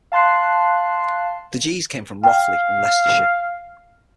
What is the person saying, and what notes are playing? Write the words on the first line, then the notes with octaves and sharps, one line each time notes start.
The Gees came from Rothley in Leicestershire.
F5 A5 C6 F#6 C7
F5 G5 F6